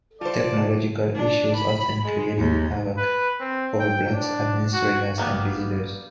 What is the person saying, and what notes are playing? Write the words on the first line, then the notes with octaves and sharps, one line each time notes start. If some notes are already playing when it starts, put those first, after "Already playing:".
Technological issues often created havoc for the blog's administrators and visitors.
G3 F4 C5 D5 A5
D4
B5
G#3
D#2
B4
C4
G5
D4
F#4
G3 A#3 B3